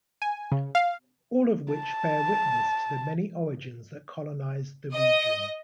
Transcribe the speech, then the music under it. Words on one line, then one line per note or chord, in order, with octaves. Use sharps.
All of which bear witness to the many origins that colonized the region.
G#5
C#3
F5
A5
D#5